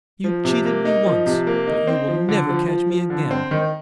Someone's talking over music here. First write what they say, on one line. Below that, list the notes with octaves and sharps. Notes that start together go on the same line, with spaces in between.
"You cheated me once, but you will never catch me again."
F3
C3
A#3
D#4
F3
C3
A#3
D#4
C4
F3
D3
F3
F3
F3
D3
C4
D#3